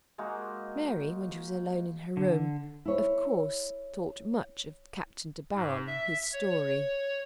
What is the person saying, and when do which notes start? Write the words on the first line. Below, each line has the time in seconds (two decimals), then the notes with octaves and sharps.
Mary, when she was alone in her room, of course thought much of Captain De Baron and his story.
0.18 G#3 A#3 D#4 F#4
2.17 D3
2.85 E4 C#5
5.54 G#2
5.87 E5
6.33 C#5